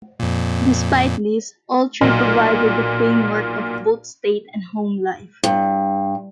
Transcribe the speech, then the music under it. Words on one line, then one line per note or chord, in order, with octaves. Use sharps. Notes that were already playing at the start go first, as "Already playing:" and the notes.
Despite this, all three provided the framework of both state and home life.
F2 A#2
B1 A#2
G2